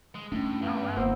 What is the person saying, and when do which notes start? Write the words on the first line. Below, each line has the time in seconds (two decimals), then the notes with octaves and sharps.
Oh wow.
0.15 G#3
0.32 A2 A3 C#4 D4
0.62 E2 G2
0.97 G1 A#3 B3 C5 E6